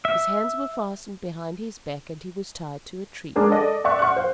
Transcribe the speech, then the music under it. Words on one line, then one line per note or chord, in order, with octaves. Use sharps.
His hands were fastened behind his back and he was tied to a tree.
E5
G#3 D4 G#4 A#4
A4 D5 D#5
D5 E5 C#6 F#6
F#5 C#6 F6 F#6
C5 F5